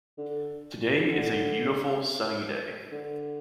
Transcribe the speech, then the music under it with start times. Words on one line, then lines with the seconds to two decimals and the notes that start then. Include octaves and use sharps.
Today is a beautiful sunny day.
0.18 D3
1.10 D3
2.92 D3